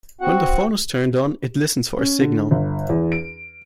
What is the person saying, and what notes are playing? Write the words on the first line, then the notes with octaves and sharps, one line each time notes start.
When the phone is turned on, it listens for a signal.
C4 F#4 F#5
C#4
D3
G1
E2
D7